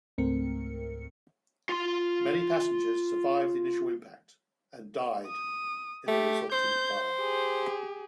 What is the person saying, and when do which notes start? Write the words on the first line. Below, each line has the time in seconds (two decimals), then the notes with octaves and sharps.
Many passengers survived the initial impact and died in the resulting fire.
0.18 C#2 G#2 A3 C4 A#4 C#7
1.69 F4 C6
5.27 D#6
6.08 A3 G4
6.52 C5 G6
7.18 G4 G#4